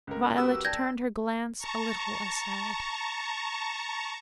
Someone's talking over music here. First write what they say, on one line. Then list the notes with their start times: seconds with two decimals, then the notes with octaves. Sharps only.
Violet turned her glance a little aside.
0.07 C#2 A#4
0.38 F#4 G4 B4 E6
0.65 D5 G5 A5 G6 G#6 A#6
1.58 A5 A#5 C#6